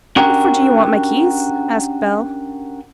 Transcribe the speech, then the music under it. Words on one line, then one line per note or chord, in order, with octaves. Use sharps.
'What for do yo' want my keys?' asked Bell.
C#4 D4 F#4 G4 A#4